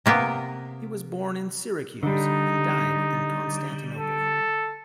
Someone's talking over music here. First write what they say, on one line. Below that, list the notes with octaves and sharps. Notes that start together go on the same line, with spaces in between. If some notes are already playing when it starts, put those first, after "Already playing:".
He was born in Syracuse and died in Constantinople.
C3 A#3 B3
D3 G3 D#4
A4